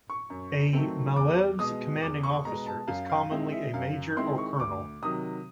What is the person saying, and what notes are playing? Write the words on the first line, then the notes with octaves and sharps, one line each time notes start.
A "malev"'s commanding officer is commonly a major or colonel.
C#6
F#2
D#3 F#3 A3 C4
E2 D6
B2 G#3 B3 D#6
E2 D6
C#6
B2 G#3 B3 A#5
A5
F#2 F5
F5
D#3 G#3 C4 E4
E5
F#2 F5
D#3 G#3 C4 E4 C6
C#6
D2 D6
C3 D#3 F#3 D#6